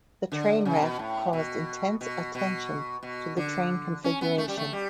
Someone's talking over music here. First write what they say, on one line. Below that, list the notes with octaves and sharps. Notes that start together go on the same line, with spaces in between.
The train wreck caused intense attention to the train configuration.
D3
C#3
B2
A2
B2
B2
B2
B2
D3
C#4
B3
A3
G3
A3
G3